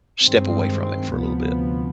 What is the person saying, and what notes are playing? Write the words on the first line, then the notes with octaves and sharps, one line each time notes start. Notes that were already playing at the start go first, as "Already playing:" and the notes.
step away from it for a little bit.
G2 D#3 G#3 C4
D2 C3 F3 B3